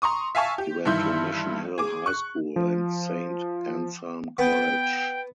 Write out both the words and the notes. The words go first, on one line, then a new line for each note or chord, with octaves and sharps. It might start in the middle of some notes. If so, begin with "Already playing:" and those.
He went to Mission Hill High School and Saint Anselm College.
A#5 C6 C#6 D#6
E5 F5 G#5 A5 C#6
G4
G2 D#3 E3 E5 C6 G6
G#4 D6
C#6 F#6
F3
B3 G5